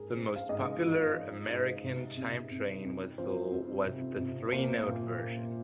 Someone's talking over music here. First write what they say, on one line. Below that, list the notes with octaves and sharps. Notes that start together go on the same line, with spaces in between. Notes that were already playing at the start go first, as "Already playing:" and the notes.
The most popular American chime train whistle was the three-note version.
Already playing: G#2 G#4 A#4
C4
F5
G#2 D#5
F3
F3
G#2
C3
C3
C3
F2
F3 C5
F2
C3
C3
A#3 C5
A#2
A#3